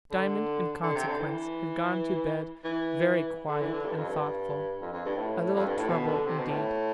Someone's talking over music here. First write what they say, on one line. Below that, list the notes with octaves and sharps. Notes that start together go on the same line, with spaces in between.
Diamond in consequence had gone to bed very quiet and thoughtful--a little troubled indeed.
D3
D3
C3
D3
E3
E3
D3
E3
D3
G2
F2
G2
F2
F2
G2
A2
F2
G2
A2
B2
D3
C3
B2
A2